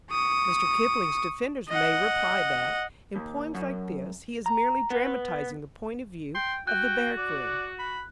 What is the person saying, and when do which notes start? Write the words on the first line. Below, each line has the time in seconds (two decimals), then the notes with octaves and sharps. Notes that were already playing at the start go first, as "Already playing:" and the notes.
Mr. Kipling's defenders may reply that, in poems like this, he is merely dramatizing the point of view of the barrack-room.
0.11 C#6 D#6
1.68 D#5 F#5
3.16 D#2
3.55 F#2
4.46 A#5
4.90 B3
6.35 G5 C6
6.67 F#4 G5 F#6
7.18 D5
7.79 B5